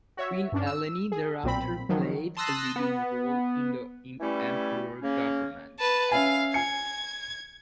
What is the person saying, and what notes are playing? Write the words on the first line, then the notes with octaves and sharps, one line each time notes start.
Queen Eleni thereafter played a leading role in the Emperor's government.
F#4 C#5 E5
G2 C#4 D4
E6
G#4
B1 A#2 C4 B5
D#3 F3 F#3
A5 C6 D#6 E6 F#6 A#6
B3
E3 G3 A3 C#4 E4
C#3 A#3 C#4
B4 A5
C#4 E5 F5 G#5
G#5 G#6 C#7